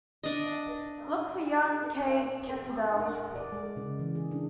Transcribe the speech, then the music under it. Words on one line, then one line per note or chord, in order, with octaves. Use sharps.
Look for young Kay Kendall.
D4 D#5
F#5
A#4
D5
G#3
C#3
E3
G#4
D4